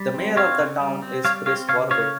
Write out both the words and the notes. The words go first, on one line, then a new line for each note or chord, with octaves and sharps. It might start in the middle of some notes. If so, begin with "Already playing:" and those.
The mayor of the town is Chris Warwick.
Already playing: G3
C4
C4 C#5 F5
C#3
G3
C4
G3 C#5 F5
C4 C#5 F5
C#3 C#5 F5
C#3 C#5 F5